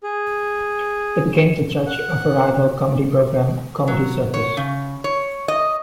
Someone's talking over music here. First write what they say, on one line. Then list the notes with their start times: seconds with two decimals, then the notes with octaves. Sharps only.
He became the judge of a rival comedy program "Comedy Circus".
0.03 G#4
1.87 F#5
3.87 F#3
4.34 C#5
4.57 C#3
5.04 C#5
5.48 D#5